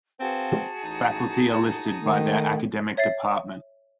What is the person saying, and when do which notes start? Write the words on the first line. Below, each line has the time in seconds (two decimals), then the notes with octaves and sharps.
Faculty are listed by their academic department.
0.20 C4 F#4 G#4 B4 F5 F#5 A5
0.83 A1 D#4
2.02 D#3 A3
2.97 C#5 E5 A6 C7